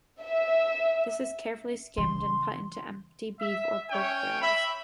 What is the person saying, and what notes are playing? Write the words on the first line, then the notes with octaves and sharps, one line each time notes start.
This is carefully skimmed and put into empty beef or pork barrels.
E5
C#3 E3 C6
E5
C#4 C#5 G5
E5 B5